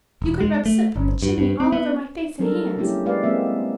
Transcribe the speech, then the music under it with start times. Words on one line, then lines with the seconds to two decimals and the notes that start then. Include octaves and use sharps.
You could rub soot from the chimney all over my face and hands.
0.22 E1
0.41 G#3
0.66 A3
0.96 G1
1.22 G2
1.38 G2
1.60 C4
1.72 B3
2.39 F#3 G3 D4 A4 A#4
2.76 G3 G#3 A#3 C#4 E4 G4
3.06 G#3 G4 B4 D5 F5
3.23 G#3 A#3 C4 E5